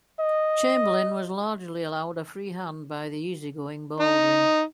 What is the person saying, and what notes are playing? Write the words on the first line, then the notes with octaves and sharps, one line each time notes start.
Chamberlain was largely allowed a free hand by the easy-going Baldwin.
D#5
D#4